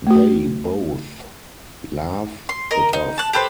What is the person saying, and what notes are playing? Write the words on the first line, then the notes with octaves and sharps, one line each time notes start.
They both laugh it off.
A3 F#4
C6
A#4 D#5
D#4
A5 F#6
G4 A4 B4 C5